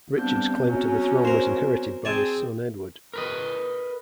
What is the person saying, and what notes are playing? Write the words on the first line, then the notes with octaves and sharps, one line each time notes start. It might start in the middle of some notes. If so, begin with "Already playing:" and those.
Richard's claim to the throne was inherited by his son Edward.
G3 B3 C4 D4 G6
F#3 C#4
A#4 C5
C4 G#4 D5 G#5 A5
A#4 B4 D#5